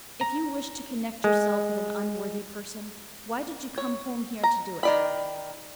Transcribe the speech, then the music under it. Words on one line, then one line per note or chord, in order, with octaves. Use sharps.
If you wished to connect yourself with an unworthy person why did you come home here to do it?
A#5
G#3
C#5
A#5
D#3 D5 B5